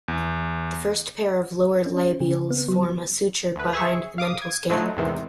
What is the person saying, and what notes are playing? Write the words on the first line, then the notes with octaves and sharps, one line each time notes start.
The first pair of lower labials form a suture behind the mental scale.
E2
C#4
C#3
B3
F#3
D2 B4
G#4 E5 C#6
F5 D6 D#6
G#6
A2 D3 F3 F#3 A3 D#4
E2 G#2 C3 D#3 E3